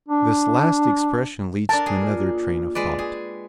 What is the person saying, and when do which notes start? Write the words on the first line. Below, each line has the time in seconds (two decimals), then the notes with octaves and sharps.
This last expression leads to another train of thought.
0.08 D4
1.69 D4 A#4 A5
1.86 G#4
2.02 A#2
2.75 G#3 B4 D5
2.99 G4 G#4